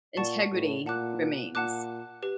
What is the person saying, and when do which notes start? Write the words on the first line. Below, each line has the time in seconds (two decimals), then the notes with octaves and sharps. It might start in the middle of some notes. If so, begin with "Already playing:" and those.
integrity remains.
0.17 A#2 D5 F#5 A5 C#6
0.52 A2
0.85 A#2 F#5 A5 D6 F#6
1.54 A#2 F#5 A5 D6 F#6
2.23 G4 B4